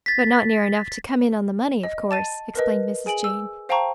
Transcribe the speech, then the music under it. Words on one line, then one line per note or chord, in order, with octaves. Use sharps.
"But not near enough to come in on the money, of course," explained Mrs. Jane.
A6 B6
D#5
A5 A6 D#7
A#4 B4 D#5
G#4 G#5 D7 F#7
E6
C5 F5 G5 A5 A#5 C#6